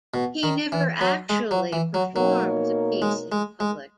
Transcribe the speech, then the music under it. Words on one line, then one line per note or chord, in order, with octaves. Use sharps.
He never actually performed the piece in public.
B2
D#3
E3
F#3
G#3
F#3
E3
F#3
B2 F#3 A#3 D#4 A#4 C#5
G#3
G#3
G#3